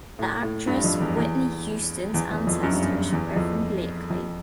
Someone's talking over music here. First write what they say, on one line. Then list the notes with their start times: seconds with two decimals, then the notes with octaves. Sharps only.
The actress Whitney Houston's ancestors were from Blakely.
0.19 A2
0.43 A2
0.67 G2
0.84 F2
1.00 E2
1.17 E2
2.14 E2
2.31 E2
2.47 F2
2.63 F#2
2.73 G2
2.83 F#2
3.12 E2
3.36 F2
4.10 F2